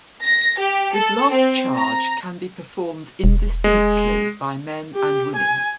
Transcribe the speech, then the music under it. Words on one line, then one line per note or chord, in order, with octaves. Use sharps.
This last charge can be performed indistinctly by men and women.
A#6
G4
A4
C4
A#5
E1
G#3
G4
G#5